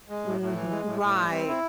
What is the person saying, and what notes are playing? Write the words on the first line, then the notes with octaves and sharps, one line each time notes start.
Mhm Right.
G#3
A2
A2
E3
G#3
A2
A2
G3
C4
E4